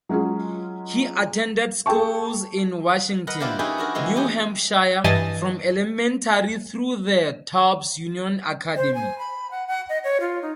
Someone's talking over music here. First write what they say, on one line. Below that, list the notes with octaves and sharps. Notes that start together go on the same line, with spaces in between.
He attended schools in Washington, New Hampshire, from elementary through the Tubbs Union Academy.
F#3 G#3 C#4 F4 G#4
G#4 A4 G5 A5 C#6
A#4 B4 D#5 F#5
D4 E4 F4 G4 A#4 C5
C#4 D#4 E4 G4 G#4 B4
D4 F#4 A#4
E3 G#3 C4
B3 G4 G#4
G2 E3 D#5 G#5 A5 A6
C5
G#5
B5
F#5
F#5
D#5
C#5
F4
D#4